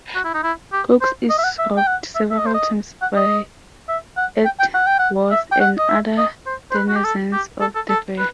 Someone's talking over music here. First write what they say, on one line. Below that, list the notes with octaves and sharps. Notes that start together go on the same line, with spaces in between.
Cokes is robbed several times by Edgeworth and other denizens of the fair.
F#4
E4
D#4
E4
G4
C5
D#5
E5
F#5
E5
G5
F#5
E5
E5
D#5
C5
D#5
F#5
D#5
E5
F#5
G5
G5
F#5
G5
F#5
E5
G5
F#5
D#5
E5
D#5
C5
C5
B4
F#4
G4
A4
G4
A4
A4
A4
B4